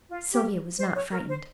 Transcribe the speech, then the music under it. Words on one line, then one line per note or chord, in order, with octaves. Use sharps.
Sylvia was not frightened.
F4
G4
C5
C#5
A#4
C5